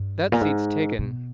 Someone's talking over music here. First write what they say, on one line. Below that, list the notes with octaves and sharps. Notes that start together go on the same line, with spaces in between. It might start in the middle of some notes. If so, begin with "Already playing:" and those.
That seat's taken.
Already playing: G2
A#2
G#2
B2